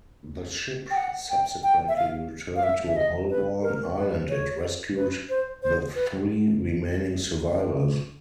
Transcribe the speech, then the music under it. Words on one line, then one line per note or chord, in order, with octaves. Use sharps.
The ship subsequently returned to Holbourne Island and rescued the three remaining survivors.
G5
F#5
G5
G5
E5
F5
F5
E5
E5
D#5
B4
A#4
B4
C#5
B4
C5
C5
B4